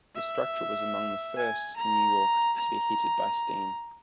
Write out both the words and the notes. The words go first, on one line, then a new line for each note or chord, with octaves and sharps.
The structure was among the first in New York to be heated by steam.
E5
G#5
A#5
A#5